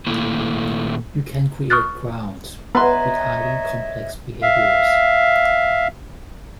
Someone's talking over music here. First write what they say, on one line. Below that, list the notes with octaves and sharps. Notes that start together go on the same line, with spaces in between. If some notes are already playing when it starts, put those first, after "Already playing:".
You can create crowds with highly complex behaviors.
A#2 D#3 A3 A#3 E4 F4
C#6 D#6 F6 F#6 A6
B3 B4 C#5 D#5 E5 A#5 C6
E5 F5